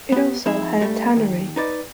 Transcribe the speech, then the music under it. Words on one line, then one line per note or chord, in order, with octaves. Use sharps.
It also had a tannery.
B3 G4
F3 C4 D#4 E4 G#4 E5
G2 G3 A3
D#2
D#4 B4 D5